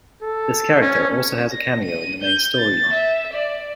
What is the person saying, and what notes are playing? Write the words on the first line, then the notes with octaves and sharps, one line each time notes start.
This character also has a cameo in the main storyline.
A4
C#4
A#6
D#7
G6
A6
E5
D5